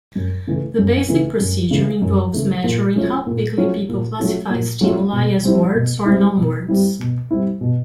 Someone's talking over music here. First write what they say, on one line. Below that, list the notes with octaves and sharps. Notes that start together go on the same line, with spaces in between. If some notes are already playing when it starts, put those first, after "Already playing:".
The basic procedure involves measuring how quickly people classify stimuli as words or nonwords.
F#2
C#3 E3 A3
F#2
C#3 E3 A3
F#2
C#3 E3 A3
F#2
C#3 E3 A3
A#2
F#3 A3 C#4 F4
A#2
F#3 A3 C#4 F4
A#2
F#3 A3 C#4 F4
A#2
F#3 A3 C#4 F4
B2
G3 C4 E4
B2
G3 C4 E4
B2
G3 C4 E4
B2
G3 C4 E4
B2